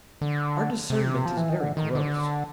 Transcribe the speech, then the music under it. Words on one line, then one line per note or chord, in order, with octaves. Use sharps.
Our discernment is very gross.
D3
C3
F3
E3
D#3
D3
D#3
D3